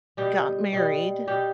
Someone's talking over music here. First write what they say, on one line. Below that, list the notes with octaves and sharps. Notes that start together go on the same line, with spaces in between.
got married,
B2 G3 G4
B2 G3
B2 G3 G4